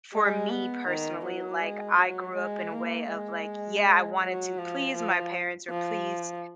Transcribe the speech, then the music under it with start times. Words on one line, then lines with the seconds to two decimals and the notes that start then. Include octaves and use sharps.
for me, personally, like, I grew up in a way of, like, yeah, I wanted to please my parents or please,
0.14 G#3
0.50 B3
0.87 D#3
1.25 F#3
1.61 G#3
1.99 F#3
2.36 G#3
2.72 A#3
3.09 G#3
4.21 F#3
4.58 F3
4.95 F3
5.70 F3